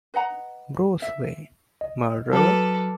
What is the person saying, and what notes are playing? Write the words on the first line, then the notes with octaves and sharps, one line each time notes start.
Bruce Wayne: Murderer?
B4 D#5 F#5 A#5
E5
D#5
F#3 A4 B4 A5 D6 F6